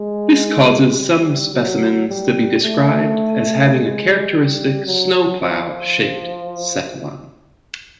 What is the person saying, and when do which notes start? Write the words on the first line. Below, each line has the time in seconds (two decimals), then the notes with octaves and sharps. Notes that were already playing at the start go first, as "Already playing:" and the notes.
This causes some specimens to be described as having a characteristic "snowplow" shaped cephalon.
Already playing: G#3
0.97 G3
1.53 F#3
2.09 G3
2.63 A3
3.75 G#3
4.29 G3
4.86 F#3
5.41 F3